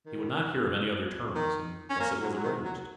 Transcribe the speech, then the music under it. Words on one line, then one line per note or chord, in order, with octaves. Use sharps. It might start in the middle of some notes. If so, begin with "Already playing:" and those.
He would not hear of any other terms, and thus it was arranged.
D#3
D#3
C#4
A#3
F#3
F#3
D#3
F#3